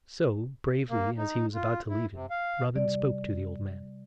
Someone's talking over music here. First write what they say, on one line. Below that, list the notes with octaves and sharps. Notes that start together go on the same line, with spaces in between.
So bravely, as he was about to leave him, Robin spoke to the old man.
A#3
D#4
F4
E4
C3
F5
C3 G3 D5